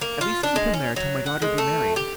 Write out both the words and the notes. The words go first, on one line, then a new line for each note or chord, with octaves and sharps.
"At least keep him there till my daughter be married."
A#3
F4
D4
G#3
C#4
F#3
F#5
G#3
A3
G4